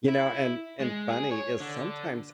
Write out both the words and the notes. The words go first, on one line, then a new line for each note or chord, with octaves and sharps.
you know, and and funny is sometimes
E4
G#3
G#4
C#5
D3